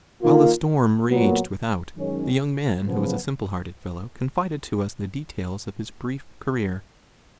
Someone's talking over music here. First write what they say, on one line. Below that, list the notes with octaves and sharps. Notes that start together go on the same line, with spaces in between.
While the storm raged without, the young man, who was a simple-hearted fellow, confided to us the details of his brief career.
D#3 A#3 F4
A#2 F#3 B3
F#2 D#3 G#3 C#4
F#2 C#3 F3 B3